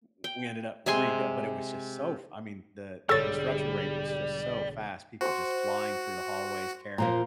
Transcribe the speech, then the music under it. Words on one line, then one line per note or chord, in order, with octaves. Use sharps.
w we ended up redo but it was just so f I mean, the the construction rate was just so fast. People just flying through the hallways carrying
G5
C3 G#3 G#5 C6
B1 G#2 D3 G3 A4 C#5 E6 A6
F#4 C5 C#6
A#2 F3 A#3 A#5